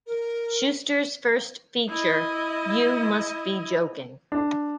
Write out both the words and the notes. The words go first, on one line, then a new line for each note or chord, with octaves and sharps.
Schuster's first feature, You Must Be Joking!
A#4
E4 D#5
D4